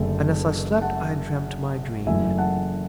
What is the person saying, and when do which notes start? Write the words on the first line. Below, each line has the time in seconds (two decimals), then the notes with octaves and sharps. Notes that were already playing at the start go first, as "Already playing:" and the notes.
And as I slept I dreamed my dream.
Already playing: F#1 F#2 D3 A3
0.81 F#5 A5
2.06 F#1 F#2 E3 A3 E5 G#5
2.38 F#5 A5